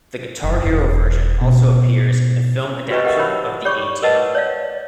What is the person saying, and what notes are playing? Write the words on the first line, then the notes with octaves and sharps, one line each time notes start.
The "Guitar Hero" version also appears in the film adaption of the "A-Team".
F#1
E1
B2
F#4 G4 B4 D#5 C#6
G4 A#4 D#5 E5 F#5
D#4 A#4 C5 C#5 B5 E6
G4 C#5 D5 B5 C#6 D6
A#4 B4 D#5 F#5 A5
C#5 D5 F5